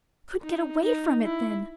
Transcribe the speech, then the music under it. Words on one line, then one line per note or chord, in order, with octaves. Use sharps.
I couldn't get away from it then.
D#4
D#4
E4